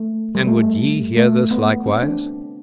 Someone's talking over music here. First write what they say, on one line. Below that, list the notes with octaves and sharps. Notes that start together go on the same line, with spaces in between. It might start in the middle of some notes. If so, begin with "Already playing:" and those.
And would ye hear this likewise?
Already playing: A3
G3
A3
A3
B3
C4
D4